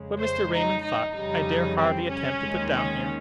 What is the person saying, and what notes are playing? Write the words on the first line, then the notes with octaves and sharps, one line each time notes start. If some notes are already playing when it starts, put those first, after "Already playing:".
What Mr. Raymond thought, I dare hardly attempt to put down here.
Already playing: F2 C#3 G#3
C5
D#4
D#4
F2 C#3 G3 D#4
C4
C#4
D#2 D#3 G#3
C#4